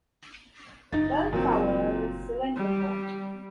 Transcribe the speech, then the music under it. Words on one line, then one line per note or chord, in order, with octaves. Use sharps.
The bell tower is cylindrical.
F#1 D#4 A6
A#2 F#3 C4
G3